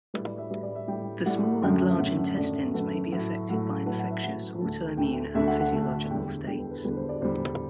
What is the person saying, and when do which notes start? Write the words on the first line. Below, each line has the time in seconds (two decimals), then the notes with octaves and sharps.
The small and large intestines may be affected by infectious, autoimmune, and physiological states.
0.14 A2 G3 B4
0.26 D5
0.38 E5
0.50 A2 G3 B4
0.63 D5
0.75 E5
0.88 A2 G3 G5
1.26 A2 G3 F#5
1.62 F#2 D3 F#3 A3 G5
1.90 E5
1.99 F#2 D3 F#3 A3 F#5
2.37 F#2 D3 F#3 A3 D5
2.74 F#2 D3 F#3 A3 B4
3.11 A2 F#3 A3
3.49 A2 F#3 A3
3.86 A2 F#3 A3 B4
3.99 F#5
4.11 E5
4.23 A2 F#3 A3 F#5
4.60 D2 D3 A3 A5
4.98 D2 D3 A3 G5
5.35 D2 D3 A3 E5
5.47 F#5
5.60 F#5
5.72 D2 D3 A3
6.09 E2 D3 G3 G5
6.47 E2 D3 G3 G5
6.59 B4
6.71 B4
6.84 E2 D3 G3 B4
6.97 C5
7.09 D5
7.21 E2 D3 G3 C5